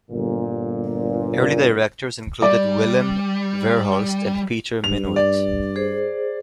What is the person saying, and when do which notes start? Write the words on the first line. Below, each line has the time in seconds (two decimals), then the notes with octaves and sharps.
Early directors included Willem Verhulst and Peter Minuit.
0.11 G1 A#2
2.42 G3 D5
4.84 G2 F7
5.16 D5
5.76 G#4 C5